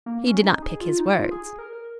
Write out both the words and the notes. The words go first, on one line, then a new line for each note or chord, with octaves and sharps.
He did not pick his words.
A#3
C#4
D#4
G#4
F4
D#4
F4
G#4
G#4
A#4
A#4